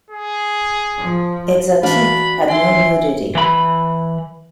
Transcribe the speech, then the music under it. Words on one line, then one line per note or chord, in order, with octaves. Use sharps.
"Exotique" had no nudity.
G#4
F3
E3 D4 F#4 F5 B5
E3 E5 G#5 C6
E3 B5